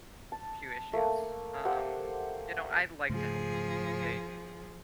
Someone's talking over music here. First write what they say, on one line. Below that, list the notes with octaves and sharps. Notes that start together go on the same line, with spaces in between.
few issues, um, you know, I like to help people, okay,
A5
A3 A#3
G4 C5 F#5
G#2 C#3 F3 A3 G#4